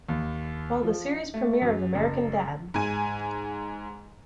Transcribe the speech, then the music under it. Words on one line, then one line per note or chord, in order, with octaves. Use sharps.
While the series premiere of American Dad!
D#2
F3
A3
F#2
F#1
G#2 G#5